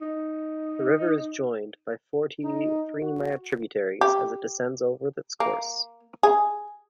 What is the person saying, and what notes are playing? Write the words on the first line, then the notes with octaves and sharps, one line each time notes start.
The river is joined by forty-three minor tributaries; as it descends over its course.
D#4
D#4
F#4
G4
A#3
G#4